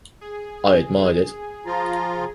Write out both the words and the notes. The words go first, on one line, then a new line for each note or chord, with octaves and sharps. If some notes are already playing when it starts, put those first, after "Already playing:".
I admired it.
G#4
F3 F4 A#5